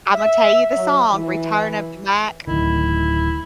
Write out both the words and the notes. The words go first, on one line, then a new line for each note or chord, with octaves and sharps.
I'm a tell you the song, Return of the Mac.
E5
F#3
E3
D1 D#3 E4